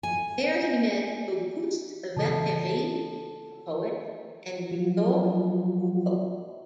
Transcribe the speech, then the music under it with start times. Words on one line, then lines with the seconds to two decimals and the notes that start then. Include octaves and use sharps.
There he met Auguste Vacquerie, a poet, and Victor Hugo.
0.03 G#5
2.17 C#3 E3 G#3 A4 A5
4.71 F3 F#3